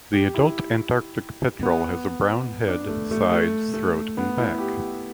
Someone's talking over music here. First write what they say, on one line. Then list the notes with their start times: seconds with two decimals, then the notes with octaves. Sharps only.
The adult Antarctic petrel has a brown head, sides, throat, and back.
0.13 G4
0.35 E4
1.63 B3
2.68 D4
2.89 A3
3.11 A3
3.31 A3
3.74 A3
4.17 B3
4.38 E4
4.58 G4